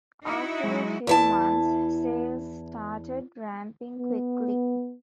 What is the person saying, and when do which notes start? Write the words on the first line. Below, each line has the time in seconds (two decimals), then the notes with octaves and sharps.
After a few months, sales started ramping quickly.
0.22 D#4 E4 F#4
0.64 F#3 G#3
1.07 E2 E4 A5
3.97 B3